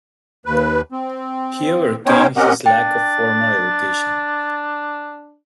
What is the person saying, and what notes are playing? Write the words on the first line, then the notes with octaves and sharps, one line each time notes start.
He overcame his lack of formal education.
D#2 B4
C4
B3 C#4 D#4 C5 C#5 G5
C4 C#4 G4 A#4 D#5 F#5
D4 G5 A6